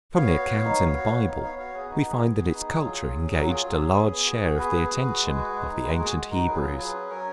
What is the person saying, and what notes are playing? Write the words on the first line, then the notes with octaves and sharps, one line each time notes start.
From the accounts in the Bible, we find that its culture engaged a large share of the attention of the ancient Hebrews.
B3 C#5 F5
F#4
B3
D#4
B3
F#4
B3
D#4
B3 C#5 F5
F#4 C#5 F5
B3 G#4
D#4 F#4
B3 G#4
F#4
B3
D#4
F#3
F4
F#3
C#4
F#3 F#4 A#4
F4 G#4
F#3 G#4
C#4 G#4
B3
B3
F#4
F#4
B3 G#4 B4
B3
F#4
F#4
G#3
F#4
G#3
D#4
G#3 F#4 A#4
F#4 G#4
G#3
D#4 F#4 A#4
F#3 G#4 B4
F4
F#3 G#4 B4
C#4
F#3 A#4 C#5